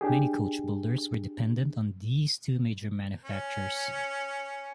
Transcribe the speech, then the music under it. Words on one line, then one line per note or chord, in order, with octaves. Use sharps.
Many coach builders were dependent on these two major manufacturers.
D4 G4 G#4
C#4